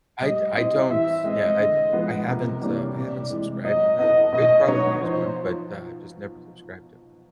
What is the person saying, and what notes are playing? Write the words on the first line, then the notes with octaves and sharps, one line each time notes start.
I d I don't Yeah, I d eh, I haven't, uh I haven't subscribed to that. Could probably use one, but I just never subscribed to it.
G3 D#5
C4 E4 D#5
E3 E5
G#3 C4 D#5
D3
F3 G#3 B3
C3 A#4
E3 G3 A#3 D4 C#5
C3 D5
E3 G#3
F#3 D#5
B3 E4 A4 D#5
B2 D#5
F#3 B3 D#4 C#5
F3 C5